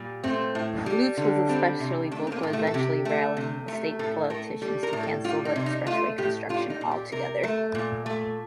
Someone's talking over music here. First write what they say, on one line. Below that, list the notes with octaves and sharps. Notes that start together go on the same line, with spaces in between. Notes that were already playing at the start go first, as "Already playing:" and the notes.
Lutz was especially vocal, eventually rallying state politicians to cancel the expressway construction altogether.
Already playing: A#2 G3
A3 C4
A2
G3
D3
G3 C4
C3
A3 D4
C4
A#3
A2
A3
A4
C3 G4
A3
C3
A3
A2 A4
A3 A#4
G3 A4
A#4
A2
A4
G3 F4
D#4
C3
D#4
A3 F4
A2 G4
G3 F4
D#4
A#2
G4
C3 A#4
A3
A#2
A3